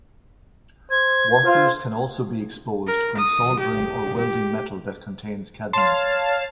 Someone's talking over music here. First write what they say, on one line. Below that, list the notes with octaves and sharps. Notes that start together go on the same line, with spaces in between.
Workers can also be exposed when soldering or welding metal that contains cadmium.
C5 G#6
F4 C5
A#4
D#6
G4
G4
C#5 F5 A5 C6